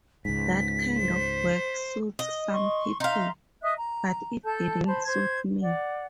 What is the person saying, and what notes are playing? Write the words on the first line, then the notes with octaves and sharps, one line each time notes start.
That kind of work suits some people, but it didn't suit me.
C#2 G#2 B6
C5
D#5
C6 C#6
D#4 E5 F5 A#5 C6
D#5 E5 D#6 F#6
A#5
A4 A5 G6
C5 A5 B5
C5 G#6
D5 F#5